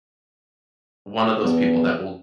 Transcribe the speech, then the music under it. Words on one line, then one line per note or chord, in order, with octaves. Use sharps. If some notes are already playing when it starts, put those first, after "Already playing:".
one of those people that will
E2